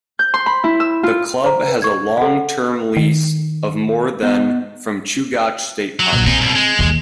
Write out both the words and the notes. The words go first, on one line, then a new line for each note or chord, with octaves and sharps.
The club has a long-term lease of more than from Chugach State Park.
G6
C6
B5
E4
E6
F4
C5 A#5
B4
C#6 G#6
A4 F#5
D#3
B3 C5 D#5
F#3
A#1
C4 D#4 G#4
C2 B2
G#3
D#2 D#3